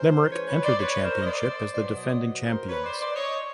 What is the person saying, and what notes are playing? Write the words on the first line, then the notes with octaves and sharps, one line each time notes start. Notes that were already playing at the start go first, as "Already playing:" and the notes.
Limerick entered the championship as the defending champions.
Already playing: E3 G#3 C#4 A#4 C5
B4 C#5
B4 C#5
C5 D5
B4 C#5
A#4 C5
D#5
C5 D5
B2 F#3 B3 C5 D5
C#5 D#5
A#4 C5
B4 C#5
C5 D5
C5 D5
C#5 D#5